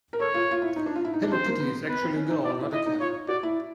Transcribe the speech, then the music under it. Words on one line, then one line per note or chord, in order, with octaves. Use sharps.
Hello Kitty is actually a girl, not a cat.
A#4
A4 C#5
F4
F4
E4
D#4
D4
F4
E4
D#4
D4
C4 C5
A#3
B3
B3 B4
C4
C#4
D#4
E4 D5
E4
E4 D#5
D#4
F4 C#5
F#4 D5
E4